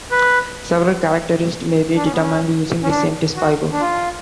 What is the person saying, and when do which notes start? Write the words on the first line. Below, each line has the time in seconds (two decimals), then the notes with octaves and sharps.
Several characteristics may be determined using the same test fiber.
0.11 B4
1.96 D4
2.05 C#4
2.11 B3
2.19 C#4
2.83 C#4
2.89 D4
3.36 F#4
3.72 D4
3.81 F4